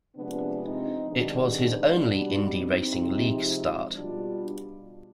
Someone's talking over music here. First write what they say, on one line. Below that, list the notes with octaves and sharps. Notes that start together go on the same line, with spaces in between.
It was his only Indy Racing League start.
C3 F3 G#3 B3 D4
C4 D#4
C3 D#3 G#3 B3 D4
B2 G3
C4 D#4
C3 F3 G#3
B2 G3 D4 F4